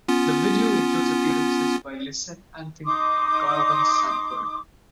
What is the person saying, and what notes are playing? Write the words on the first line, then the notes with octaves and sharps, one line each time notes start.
The video includes appearances by Lysette Anthony and Garwin Sanford.
B3 C#4 F4
D#4 C6 D6 D#6